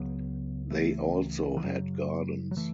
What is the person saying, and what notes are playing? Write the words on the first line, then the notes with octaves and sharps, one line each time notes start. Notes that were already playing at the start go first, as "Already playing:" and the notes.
They also had gardens.
Already playing: C#2 C#3 F#3 B3
E3 A3
E3
F#2 C#3 F#3
F#3
E3 A3